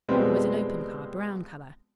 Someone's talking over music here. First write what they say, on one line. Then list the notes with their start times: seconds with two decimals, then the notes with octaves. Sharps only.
It was an open car, brown colour.
0.08 F2 B2 G3 G#3 B3 C4